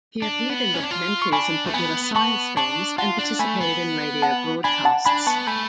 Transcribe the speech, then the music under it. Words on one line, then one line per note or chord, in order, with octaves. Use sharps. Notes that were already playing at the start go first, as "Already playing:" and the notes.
He appeared in documentaries and popular science films and participated in radio broadcasts.
D4
B3
C#4
D4
F4
C#6
D4 G#5 B5
A3
B3 G#5 B5
B3 A5 C#6
D4 A5 C#6
F4 F#5 A5
D4
A3 G#5 B5
B3
F#5 A5
D4 G#5 B5
F#5 A5
D4 G#5 B5
B3 A5 C#6
A3 G#5 B5